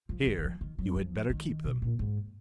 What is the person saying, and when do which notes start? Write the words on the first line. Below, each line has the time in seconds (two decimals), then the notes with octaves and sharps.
'Here, you had better keep them!
0.09 F3
0.27 D#3
0.38 F#3
0.45 F3
0.61 D#3
0.79 F#3
0.96 F3
1.30 D#3
1.65 B2
1.82 A#2
1.99 G#2